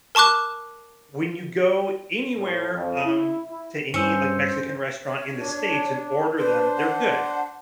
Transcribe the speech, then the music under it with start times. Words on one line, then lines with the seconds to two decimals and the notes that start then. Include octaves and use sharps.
when you go anywhere, um, to any, like, Mexican restaurant in the States, and order them they're good,
0.15 A#4 A5 C#6 D6 F#6
2.37 A2
2.74 F2
3.05 E4
3.48 E4
3.94 G2 C#4 C5 E6 C#7
5.04 C#5
5.39 D4
6.38 D4 B4 C5
6.78 F#5